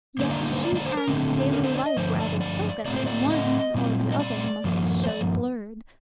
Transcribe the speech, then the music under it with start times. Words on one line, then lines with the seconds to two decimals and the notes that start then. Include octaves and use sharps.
Yet she and daily life were out of focus: one or the other must show blurred.
0.19 D3 G3 A#3 C5
0.30 D5
0.41 D#4
0.52 C5
0.64 D5
0.75 D5
0.86 C5
0.97 A#4
1.08 D3 A3 C4
1.53 A#4
1.63 C5
1.75 D5
1.86 D#5
1.97 G2 D3 F3 A3 C5
2.20 D5
2.41 D5
2.86 A2 A3 C4 D5
2.96 C5
3.06 D5
3.30 D#5
3.75 A#2 G3 C4
4.12 D#5
4.20 D5
4.64 G2 F3 A#3
5.03 C5
5.08 D5